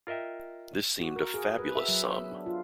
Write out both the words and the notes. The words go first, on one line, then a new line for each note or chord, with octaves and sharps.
This seemed a fabulous sum.
F4 A#4 D#5 E5 G5
F#4
A#4
G#4
B4
E5
F#3
B3
D4
F4